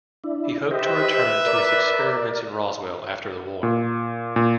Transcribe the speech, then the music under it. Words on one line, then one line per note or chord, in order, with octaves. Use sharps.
He hoped to return to his experiments in Roswell after the war.
D4 E4
G4 B4 C5 D#5 E5
A#4 D5
A#2
A#2